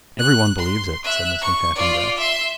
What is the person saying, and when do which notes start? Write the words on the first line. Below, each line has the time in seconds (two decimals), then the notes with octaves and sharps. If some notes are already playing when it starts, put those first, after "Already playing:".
"Every one believes it," said Mr. Chaffanbrass.
0.19 F#6
0.59 C6
1.04 E5 F#6
1.41 C#6
1.75 F4 D5
2.18 E5 C6